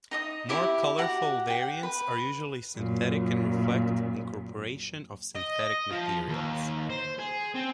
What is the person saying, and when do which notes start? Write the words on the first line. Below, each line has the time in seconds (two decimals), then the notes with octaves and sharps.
More colorful variants are usually synthetic and reflect incorporation of synthetic materials.
0.11 D#4 D#5 D#6
0.49 E4 G4 E5 B5
0.98 F#4 G4 F#5 A#5
1.48 F#5 G5
1.83 B4 B5
2.76 F#2 A#2
5.35 D#5
5.61 D#5
5.91 F3
6.28 D#2
6.90 C5
7.19 G#4
7.55 C4